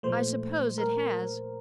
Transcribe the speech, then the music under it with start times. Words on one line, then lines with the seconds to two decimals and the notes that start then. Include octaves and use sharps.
I suppose it has.
0.03 A#2 F3 A3 C5
0.78 A#4